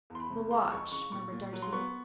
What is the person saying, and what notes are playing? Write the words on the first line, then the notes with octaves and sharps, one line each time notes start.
"The watch," murmured Darcy.
E2
C6
B5
C3
G#3 C6
F2 C#6
C#3 C#6
A#2 C#6
A#2
F#3
C6
B3 C#6